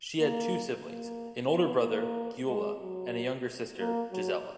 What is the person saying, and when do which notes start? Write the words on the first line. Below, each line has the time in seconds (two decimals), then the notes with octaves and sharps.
She had two siblings - an older brother, Gyula and a younger sister, Gizella.
0.20 A#3
0.85 A#3
1.51 B3
1.84 A#3
2.48 G#3
2.82 F#3
3.79 A#3
4.12 F#3